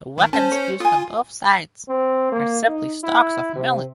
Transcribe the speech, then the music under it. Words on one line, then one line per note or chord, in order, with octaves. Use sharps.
The weapons used on both sides are simply stalks of millet.
D#3
C#4 C5 A5
C#5
F4 G#5 D#6
C4
A#3
D#4
E4
C3